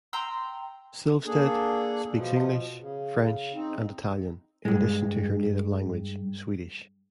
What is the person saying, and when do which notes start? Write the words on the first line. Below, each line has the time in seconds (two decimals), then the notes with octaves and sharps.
Silvstedt speaks English, French, and Italian, in addition to her native language Swedish.
0.13 G5 A#5 C6 E6
1.25 A#3 D4 G#4 A4
2.13 B2 F3
2.78 C#3
3.54 C4 D#4
4.65 G2 G#3